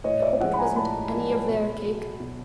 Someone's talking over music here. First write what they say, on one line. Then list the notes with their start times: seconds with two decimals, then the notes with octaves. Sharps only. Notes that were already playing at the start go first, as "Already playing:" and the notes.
I hope it wasn't any of their cake.
0.04 A2 C#5 D#5
0.22 D5 E5
0.40 F3 G#3 E5 F#5
0.53 B5
0.58 G#5 A#5
0.76 A2 A5 B5
1.12 F3 G#3
1.49 B2
1.84 F#3
2.20 B2